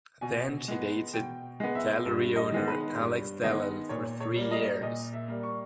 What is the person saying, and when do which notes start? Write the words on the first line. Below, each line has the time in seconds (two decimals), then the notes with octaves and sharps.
Then she dated gallery owner Alex Dellal for three years.
0.21 B2 G#5
0.68 G#3 B3
1.13 B2 G5
1.60 G#3 B3
1.75 E5
2.06 G2
2.36 D#5
2.52 D#3 G#3 B3
2.68 B4
2.97 G2 C#5
3.44 D#3 G#3 B3 D#5
3.89 A#2 C#5
4.20 C#5
4.36 G3 A#3
4.51 D#5
4.82 A#2 D#5
5.13 E5
5.28 G3 A#3
5.43 C#6